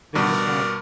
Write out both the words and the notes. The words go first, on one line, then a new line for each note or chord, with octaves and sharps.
They just got
G2 B2 F#4 A#4 D5